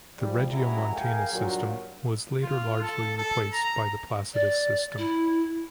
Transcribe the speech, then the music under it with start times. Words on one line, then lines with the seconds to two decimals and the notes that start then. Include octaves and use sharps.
The Regiomontanus system was later largely replaced by the Placidus system.
0.19 G#2 F3 G3
0.51 C#2 G3 E4 F#4 G#4 A#5
0.93 G#4 A#4 F5 G5 G#5
1.32 G2 A#2 F#3
2.43 F4
2.82 A4
3.18 A4
3.53 A#5
4.34 D5
4.98 E4